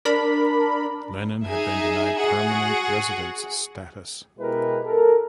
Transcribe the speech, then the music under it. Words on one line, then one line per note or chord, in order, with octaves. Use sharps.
Lennon had been denied permanent residence status.
D4 A#4 B5
D#4 G#4 E5 G#5
F#4 G#4 F#5
B2 G#3 E4 G4 A#4 B4
A4 A#4